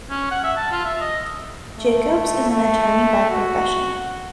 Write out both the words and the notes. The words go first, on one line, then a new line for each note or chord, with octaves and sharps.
Jacobs is an attorney by profession.
C#4
F#5
E5
A5
F4
E5
D#5
A3
A3
F#4